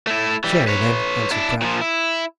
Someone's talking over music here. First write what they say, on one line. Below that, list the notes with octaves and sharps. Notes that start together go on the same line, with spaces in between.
"Sherry, then," answered Pratt.
A3 E4
E3 G3
B4 C#5
D4 E4
A#2 F3
E4